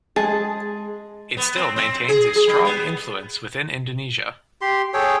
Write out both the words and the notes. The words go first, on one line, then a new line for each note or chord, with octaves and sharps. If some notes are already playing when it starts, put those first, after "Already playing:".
It still maintains a strong influence within Indonesia.
G#3 G#4 A5
B3
C4
C4
G#4
G#4
G3
B3
G4 C6
G#4 A4 C#5 G5